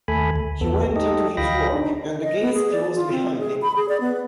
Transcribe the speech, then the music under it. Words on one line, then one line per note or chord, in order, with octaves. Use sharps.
He went into his work and the gates closed behind him.
D#2 A3 A4 G#5 B5
D2
E2 B3 A4
D#4 G4 A4 D#5
D2 D#5 F5 G5 B5 A#6
D4 D#4
D#5
B3
G#4
D5
F4
C4
G#4
B5
G#4
D5
B3